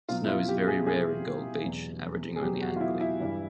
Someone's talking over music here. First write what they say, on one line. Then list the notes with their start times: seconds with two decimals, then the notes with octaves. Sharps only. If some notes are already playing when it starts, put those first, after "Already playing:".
Snow is very rare in Gold Beach, averaging only annually.
0.09 B2 F#3 F4
0.24 E4
0.28 F4
0.48 G4
0.68 G#4
0.87 B2 F#3 G#4
1.65 E2 B2 F#3
2.36 G#4
2.42 E2 B2 F#3 G4
2.62 F#4
2.76 F4
2.81 E4
3.00 E4
3.20 G2 E3 G3